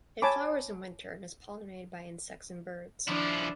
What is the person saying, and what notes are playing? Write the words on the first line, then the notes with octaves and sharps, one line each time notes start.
It flowers in winter and is pollinated by insects and birds.
C#5 G#5 A5 B5 D6
F3 D4 E4